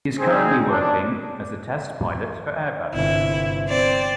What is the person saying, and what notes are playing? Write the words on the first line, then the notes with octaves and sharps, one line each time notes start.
He is currently working as a test pilot for Airbus.
C4 D#4 G#4 C5 G#5
D4
G1 C3 E4
C4 D5